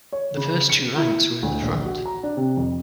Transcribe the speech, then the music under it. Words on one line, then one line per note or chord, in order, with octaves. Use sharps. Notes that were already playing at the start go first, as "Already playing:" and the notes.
The first two ranks were in the front.
C#5
C#3
C#7
E4
D2
A#1
F#4
A#5
D4
C3
F2